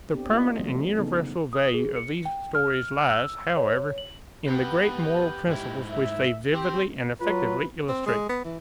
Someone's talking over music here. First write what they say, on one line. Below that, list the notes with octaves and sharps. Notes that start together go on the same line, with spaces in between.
The permanent and universal value of these stories lies, however, in the great moral principles which they vividly and effectively illustrate.
B3 C4 D4 G4 A4
A#3 E4 F4 D5 D#5
E3 F#3 G3 A3 C4
C#3 B3 D#4 G#4 A4
D#6
G#4
C#7
G5
F6
E6
C#5
C#5
F#7
B3 G4 B4
G#2 E4 G4
E5
C4 G4 C5
F#3 F4 B4
C4
G#3
B3
E3